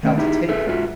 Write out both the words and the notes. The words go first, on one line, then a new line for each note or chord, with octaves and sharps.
how to take them.
D#3 A3 C#4 D5
D#4 E4 G4 G#4
G#4 A4 B4 E5
G#2 F4 F#4 E5